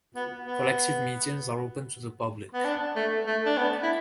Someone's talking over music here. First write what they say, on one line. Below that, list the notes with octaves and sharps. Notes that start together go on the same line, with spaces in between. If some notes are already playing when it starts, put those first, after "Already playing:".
Collective meetings are open to the public.
B3
B3
B3
D4
A3
A3
D4
B3
E4